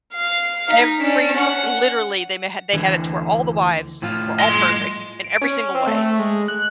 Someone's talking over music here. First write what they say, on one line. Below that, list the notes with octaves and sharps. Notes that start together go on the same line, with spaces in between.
every literally, they n had they had it to where all the wives were all perfect in every single way,
F5 C7
D#4 B6
C#4 D4
F#5
D2 D3 E3
A2 F3 F4
D#5 C6
D7
C#4
C4
A3
G#3
F#6